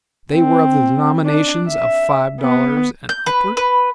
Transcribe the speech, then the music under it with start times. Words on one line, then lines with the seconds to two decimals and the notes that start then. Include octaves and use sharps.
They were of the denominations of five dollars and upward.
0.34 C4
1.26 D4
1.68 E5
2.41 B3
3.09 G6
3.26 B4
3.57 B4